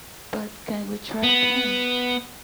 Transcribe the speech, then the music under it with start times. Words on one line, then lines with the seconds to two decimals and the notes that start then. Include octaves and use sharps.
But can we trust him?
1.23 B3